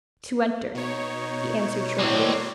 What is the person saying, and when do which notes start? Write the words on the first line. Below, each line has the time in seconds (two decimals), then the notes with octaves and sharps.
'To enter,' he answered shortly.
0.75 B2 D#4 C#5
1.99 A2 F#3 G#3 C4 D5